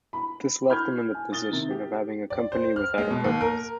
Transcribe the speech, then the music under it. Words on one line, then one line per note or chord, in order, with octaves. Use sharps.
This left them in the position of having a company without a purpose.
B5
B5 F6 G6 G#6
G#5
D#6 A6 G7
C3 D#3
G4
D5
C5
F6
G#3
B2
D#2
A#4